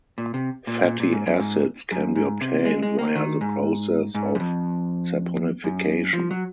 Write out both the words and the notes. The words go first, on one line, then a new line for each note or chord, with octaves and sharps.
Fatty acids can be obtained via the process of saponification.
A#2
C3
A#2
A#2
A#2
G#2
F#2
G#2
F#2
G#2
C3
G#3
G#3
A#3
D#3
G#2
G#2
F#2
F2
F#2
F3
F#3